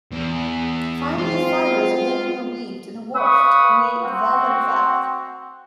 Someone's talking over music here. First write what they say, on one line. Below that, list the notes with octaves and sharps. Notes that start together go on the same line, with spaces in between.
Fine leaf fibres are then interweaved in a woof to create the "velvet" effect.
E2
F#3 G#3 C4 F4
B4 F5 C#6 D#6
C4 F#4